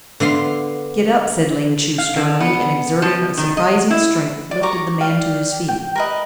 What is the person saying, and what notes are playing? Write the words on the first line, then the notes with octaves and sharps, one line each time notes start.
"Get up," said Ling Chu sternly, and, exerting a surprising strength, lifted the man to his feet.
D3 B3 F5 C6
F5
D3
B3
F3
D#3
D#5
E4
D5
A#4 A#5 C#6 D6
D5 F5 G5
G5
A#4 B4 D#5